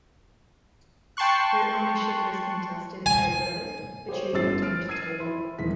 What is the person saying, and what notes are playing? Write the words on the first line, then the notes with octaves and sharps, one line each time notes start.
Her ownership was contested by a brother, but she retained title.
G5 A5 C6 C#6 F#6
G#5
G4 G#4 C5 C#5
G1 A2 C#4 E6 A6 C7
F6 A6 D7
E6 G#6 A6 C7 D#7
E4 C6
D#1 E2 D#3 E3 G#4 B6